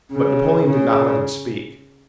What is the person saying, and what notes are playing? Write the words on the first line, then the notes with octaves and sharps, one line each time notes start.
But Napoleon did not let him speak.
C#3
C#3